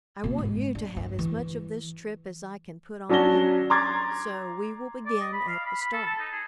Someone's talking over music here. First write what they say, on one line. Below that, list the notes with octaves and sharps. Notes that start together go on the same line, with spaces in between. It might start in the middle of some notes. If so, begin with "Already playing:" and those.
I want you to have as much of this trip as I can put on paper, so we will begin at the start.
B2 A#3
G#2
D4
G2
E3
F#3 C#4 D4 F#4 A#6 G7
A#5 C6 D6 G#6 A6
D5
D#5
B5
F5
B5
B5
A4
A5
D#4
G#4